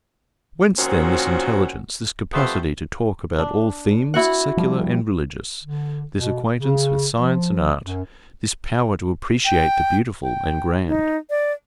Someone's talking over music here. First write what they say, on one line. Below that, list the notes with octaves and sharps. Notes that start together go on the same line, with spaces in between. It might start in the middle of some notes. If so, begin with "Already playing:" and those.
Whence, then, this intelligence--this capacity to talk about all themes, secular and religious--this acquaintance with science and art--this power to appreciate the beautiful and grand?
A#2 D#3 F3 C4 C#4 F#4
F2 G3 A3 B3 C5
D4
E4 F#4 F#5
F3 G3
D3
B2
C#3
F3
F#2
G5
G5
D#4
D5